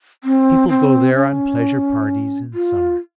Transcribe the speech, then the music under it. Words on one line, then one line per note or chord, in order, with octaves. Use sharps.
People go there on pleasure parties in summer.
C4
C4
C#4
F4